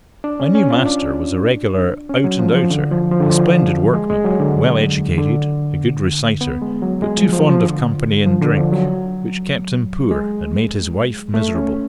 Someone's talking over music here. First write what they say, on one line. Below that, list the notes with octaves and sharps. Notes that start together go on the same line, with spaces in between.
My new master was a regular "out and outer" a splendid workman, well educated, a good reciter, but too fond of company and drink, which kept him poor, and made his wife miserable.
D4
C#4
C#4
F4
D4
C#4
F#3
F3
F3
D3
F3
F3
D3
F3
G#3
G#3
F#3
D3
D3
B3
G#3
F#3
G#3
F3
F3
F3
D3
F3
D3
F3
F#3
G#3
A3
C#4